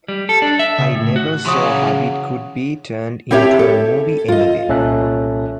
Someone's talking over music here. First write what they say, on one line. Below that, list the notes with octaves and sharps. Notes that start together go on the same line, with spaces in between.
I never saw how it could be turned into a movie anyway.
G3
A4
D4
E5
C#3
A2
F#4
C#3 E3 F#3 F#5 C6 C#6 D#6
C4 E4 G4 C#5 E5 A5
A4
F4 D#5
C2 A#2 C#4 A4 E5 F#6